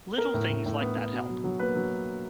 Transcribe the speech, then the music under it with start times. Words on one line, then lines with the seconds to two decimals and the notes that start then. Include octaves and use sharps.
Little things like that help.
0.18 B3 A#4
0.34 A2
0.50 A2
0.66 A2
0.81 B3
0.96 B3
1.13 B2
1.28 F#3
1.44 F#3
1.59 A#3 B4
1.75 F#3